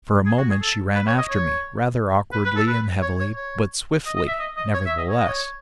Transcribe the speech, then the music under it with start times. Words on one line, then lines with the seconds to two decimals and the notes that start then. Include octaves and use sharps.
For a moment she ran after me, rather awkwardly and heavily, but swiftly, nevertheless.
0.26 G#4
0.38 F#4
0.50 G#4
0.61 A4
0.95 B4
1.07 C#5
1.18 D#5
1.29 C#5
2.32 B4
2.45 B4
2.56 A4
2.67 B4
3.02 C#5
3.20 C#5
3.36 C#5
4.06 D#5
4.16 D#5
4.28 E5
4.39 D#5
4.57 D#5
4.74 C#5
4.86 E5
4.97 D#5
5.09 C#5
5.19 D#5
5.29 C#5